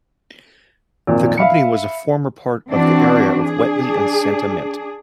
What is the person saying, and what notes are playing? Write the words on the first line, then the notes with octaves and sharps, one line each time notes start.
The company was a former part of the area of Wetly and Santa Mint.
G#1 F2 A#2
E5 F5 B5 C#7
E3 C4 D4 F#4
D4 G#4